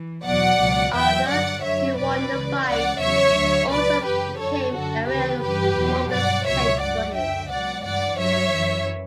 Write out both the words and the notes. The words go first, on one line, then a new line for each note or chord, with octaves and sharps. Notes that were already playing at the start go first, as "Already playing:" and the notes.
Arthur, who won the fight, also became aware of Morgan's hate for him.
Already playing: E3
E2 B2 F#3 D5 F#5
C#2 B2 F#3
E2 B2 F#3 E5 G5
G2 D3 F#3 D5 F#5
F#2 D3 F#3 C#5 E5
E2 B2 F#3 B4 D5
C#2 C#3 E3
C#2 C#3 E3 D5 F#5
E2 C#3 F#3 C#5 E5
D2 D3 F#3
C#2 B2 F#3 B4 D5
F#2 C#3 E3 G4 B4
F#2 D3 F#3 A4 C#5
F#2 D3 F#3 F#4 A4
D2 C#3 E3 G4 B4
G2 E3 G4 B4
E2 B2 F#3
G2 F#3 D5 F#5
C#2 B2 F#3 C#5 E5
G2 F#3 D5 F#5
F#2 D3 F#3 E5 G5
C#2 B2 F#3 D5 F#5
G2 E3 D5 F#5
G2 F#3 C#5 E5
F#2 E3